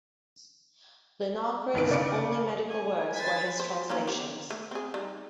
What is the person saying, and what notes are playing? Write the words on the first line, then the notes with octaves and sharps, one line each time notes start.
Linacre's only medical works were his translations.
G1 C2 D#3 B4 D7
C#3 D5 D6 C#7 D7
G#5
B4 C5 G#5 A6 B6
C5
A#3 C#4 D#4
B3 G4
A3
C4 G#4
G3 D#4